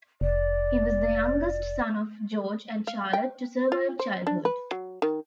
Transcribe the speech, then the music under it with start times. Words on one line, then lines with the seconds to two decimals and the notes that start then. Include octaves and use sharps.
He was the youngest son of George and Charlotte to survive childhood.
0.21 F1 D5
2.87 F5
3.13 G5
3.72 F4
3.99 C5
4.27 D4
4.45 B4
4.71 F#3
5.02 D#3